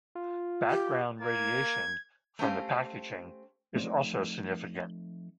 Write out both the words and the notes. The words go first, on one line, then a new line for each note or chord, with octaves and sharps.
Background radiation from the packaging is also significant.
F4
G4
A#3 G#6
A3 C4 C#4 G4 F5
F3 A3 C4 D#4 C#5 D5